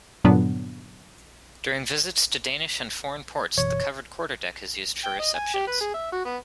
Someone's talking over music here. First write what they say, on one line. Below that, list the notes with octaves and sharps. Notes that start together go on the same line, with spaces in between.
During visits to Danish and foreign ports the covered quarterdeck is used for receptions.
G2 A#2 D3 F#3 B3 D4
F#1 B2 E3 C#5
G5
D#5
G#5
G4
B4
G#4
E5
F#4
B3